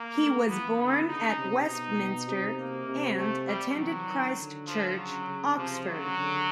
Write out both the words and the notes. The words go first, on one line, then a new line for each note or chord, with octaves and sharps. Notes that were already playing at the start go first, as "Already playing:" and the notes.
He was born at Westminster and attended Christ Church, Oxford.
Already playing: A#3
A3
E3 B3
D3 B3
C#3 D#4
C3
B2 D#4
B2
C3 D#4
A#3
C3
A3
G3
E3 F#3
D#3
D3
F3
C#3 F#3
C#3
C3 F3
C#3 F#3
D3